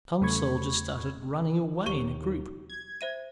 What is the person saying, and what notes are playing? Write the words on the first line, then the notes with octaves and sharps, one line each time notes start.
Some soldiers started running away in a group.
E2 C#3 A3 B5 C#6 G#6
D#2 G4 C#6 G7
G#6
C5 E5 D#7